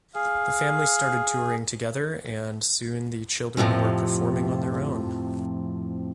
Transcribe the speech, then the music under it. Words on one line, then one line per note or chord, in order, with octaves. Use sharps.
The family started touring together, and soon the children were performing on their own.
G#4 F5
F2 A2 C3 F3